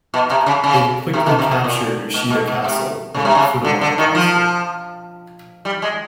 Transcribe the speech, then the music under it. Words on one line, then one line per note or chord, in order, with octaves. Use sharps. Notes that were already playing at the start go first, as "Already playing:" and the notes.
They quickly captured Yoshida Castle and Futamata Castle.
B2
C3
C#3
C#3
C3
B2
C3
B2
A#2
B2
B2
B2
C3
C#3
C3
C#3
D3
D3
D#3
F3
G3
G#3